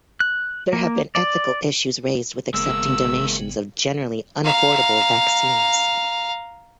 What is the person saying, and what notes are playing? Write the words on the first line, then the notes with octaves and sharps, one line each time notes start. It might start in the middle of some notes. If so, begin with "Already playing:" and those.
There have been ethical issues raised with accepting donations of generally unaffordable vaccines.
F#6
A#3
D5
G1 C#3 G#3 A#3 B3 E6
F5 A#5